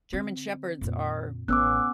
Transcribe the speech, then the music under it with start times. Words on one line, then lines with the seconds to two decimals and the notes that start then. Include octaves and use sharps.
German Shepherds are,
0.13 D3 C4
0.81 F2 A#2
1.48 A1 B3 C#4 D6 E6 F#6